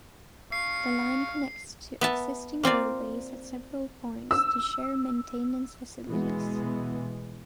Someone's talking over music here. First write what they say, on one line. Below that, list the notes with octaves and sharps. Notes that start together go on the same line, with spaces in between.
The line connects to existing railways at several points to share maintenance facilities.
F5 C#6 C7
B3 E5 A5
A#3 C4 F4 D5
E6
B2 E3 G#3 B3